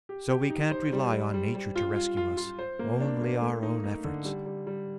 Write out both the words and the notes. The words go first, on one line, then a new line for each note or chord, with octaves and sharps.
So we can't rely on nature to rescue us, only our own efforts.
G4
G4
D#4
C5
G3
G3
G3
G3
F4
F4
F4
F4
C5
A#3
D4
A#3
A3
D#4
D#4
D3
G3
G3
G3